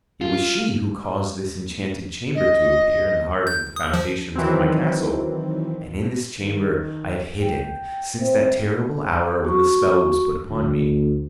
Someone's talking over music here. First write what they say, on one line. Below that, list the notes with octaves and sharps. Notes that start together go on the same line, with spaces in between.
It was she who caused this enchanted chamber to appear in the heart of the foundations of my castle; and in this chamber I have hidden since that terrible hour when the spell was put upon me.
F4
D#5
G6
D#6
F3
D#3 E3 F#3 C4
D#3
G5
G1 C4 B4 E5
F#4 C#6
D2